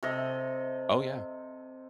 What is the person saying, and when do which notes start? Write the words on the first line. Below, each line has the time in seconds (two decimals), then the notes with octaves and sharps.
Oh yeah.
0.03 C3 A4 D#5